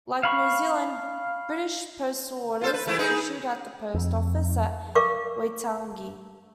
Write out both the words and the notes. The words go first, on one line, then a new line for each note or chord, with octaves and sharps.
Like New Zealand, British postal orders were issued at the post office at Waitangi.
F5 B5 C#6
F4 A4 C5
B4
E3 A3 E4
D#4 G#4 B4
F2
A#4 F5 C#6 D6